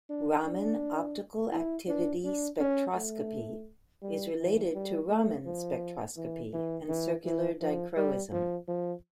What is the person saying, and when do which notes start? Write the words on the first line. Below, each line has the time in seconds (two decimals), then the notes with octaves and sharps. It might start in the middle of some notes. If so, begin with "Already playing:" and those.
Raman optical activity spectroscopy is related to Raman spectroscopy and circular dichroism.
0.09 D4
0.46 D4
1.52 E4
1.88 D4
2.24 D4
2.60 C#4
2.95 A3
4.02 G3
4.38 E3
4.74 G3
5.10 A3
5.46 F3
6.17 E3
6.53 E3
6.89 E3
7.25 E3
7.61 F3
7.97 G3
8.32 F3
8.68 F3